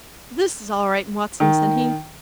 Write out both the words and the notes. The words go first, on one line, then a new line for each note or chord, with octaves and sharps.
"This is all right, Watson," said he.
D#3